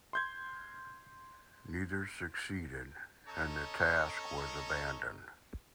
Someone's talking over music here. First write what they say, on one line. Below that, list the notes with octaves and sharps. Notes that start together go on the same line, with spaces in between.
Neither succeeded, and the task was abandoned.
C6 G6 G#6
C#4 A4 D#5 A#5 C#6